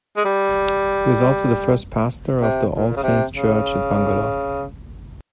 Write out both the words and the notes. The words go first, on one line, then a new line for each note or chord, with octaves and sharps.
He was also the first pastor of the All Saints Church at Bangalore.
G#3
G3
C3
A#2
C#3
C3
C#3